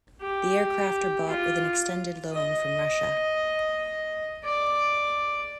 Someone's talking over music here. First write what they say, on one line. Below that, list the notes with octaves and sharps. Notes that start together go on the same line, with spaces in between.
The aircraft are bought with an extended loan from Russia.
G4
F4
D#5
D5